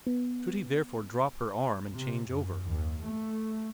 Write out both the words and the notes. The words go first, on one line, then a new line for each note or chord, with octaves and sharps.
Should he therefore drop her arm and change over?
B3
C3
F#2
D#2
A3